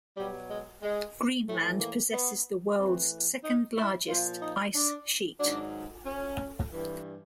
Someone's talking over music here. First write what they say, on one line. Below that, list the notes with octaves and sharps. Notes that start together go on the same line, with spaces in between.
Greenland possesses the world's second largest ice sheet.
B2 F#3 G3
G#3
G#3
A2 E3 A3
A#3
B3
A2 E3 C4
D#4
E4
A#2 F3 F4
D#4
D4
G#2 D#3 F#3 D4
C#4
G2 E3